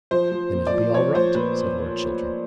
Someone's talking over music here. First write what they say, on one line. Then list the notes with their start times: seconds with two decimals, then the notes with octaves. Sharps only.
"Then it'll be all right," said Lord Chiltern.
0.11 F3 C5
0.32 F3
0.53 A#2
0.67 D5
0.74 F3
0.93 F3 C#5
1.14 F3 C5
1.35 A#2 B4